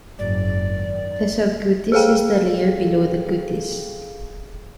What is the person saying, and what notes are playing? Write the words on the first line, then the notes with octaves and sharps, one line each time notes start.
The subcutis is the layer below the cutis.
F#1 G#2 F#3 D5
D#3
G#4 A4 F5 G5